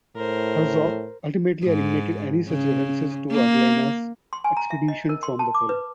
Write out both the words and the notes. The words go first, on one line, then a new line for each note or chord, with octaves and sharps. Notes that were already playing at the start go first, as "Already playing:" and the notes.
Herzog ultimately eliminated any such references to Orellana's expedition from the film.
A2 A#4 C5
G#2
C#3
A#3
C6
G#5
A#5
E5
D#5
A#4
C6
A5
D6
B4